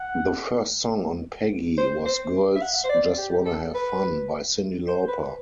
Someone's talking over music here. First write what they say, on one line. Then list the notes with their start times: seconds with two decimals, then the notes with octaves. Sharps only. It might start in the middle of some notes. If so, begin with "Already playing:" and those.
The first song on Peggy was "Girls Just Wanna Have Fun" by Cyndi Lauper.
Already playing: F#5
1.78 C5
2.06 C5
2.56 E5
2.62 F#5
2.84 C5
2.89 D5
3.18 G4
3.46 A4
3.75 B4
4.88 C5
5.08 B4